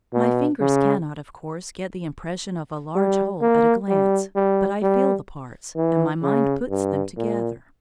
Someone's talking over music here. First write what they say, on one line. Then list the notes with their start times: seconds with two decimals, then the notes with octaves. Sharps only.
My fingers cannot, of course, get the impression of a large whole at a glance; but I feel the parts, and my mind puts them together.
0.13 B2
0.61 C#3
2.95 G3
3.41 A#3
3.89 G3
4.35 G3
4.82 G3
5.76 E3
6.23 C#3
6.70 G2
7.17 A#2